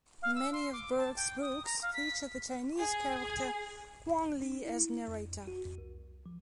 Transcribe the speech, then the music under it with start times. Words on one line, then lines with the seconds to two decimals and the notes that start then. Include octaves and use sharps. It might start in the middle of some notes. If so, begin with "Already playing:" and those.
Many of Burke's books feature the Chinese character Quong Lee as narrator.
0.22 F5
0.35 E6
0.53 C6
0.73 D6
0.98 A5
1.16 G5
1.42 D#6
1.65 A#5
1.82 F5
1.93 B6
2.78 G#4
4.42 D4
4.65 E4
5.08 F2
5.47 F#4
5.66 F2
5.78 C2
6.26 F3